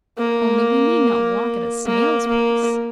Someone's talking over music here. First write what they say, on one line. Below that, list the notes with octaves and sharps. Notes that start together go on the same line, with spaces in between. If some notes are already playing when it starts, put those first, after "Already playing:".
Only we need not walk at a snail's' pace.'
A#3
A#3
A#3